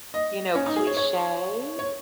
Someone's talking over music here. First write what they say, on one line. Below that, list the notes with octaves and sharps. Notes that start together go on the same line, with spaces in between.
you know, cliche,
D#5
C#4
D#4
G#4
C#5
C#5
C#5